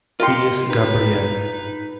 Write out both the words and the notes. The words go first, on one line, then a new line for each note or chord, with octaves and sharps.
He is Gabriel.
F4 G4 A#4 D#5 C6 C#7
D#4 B4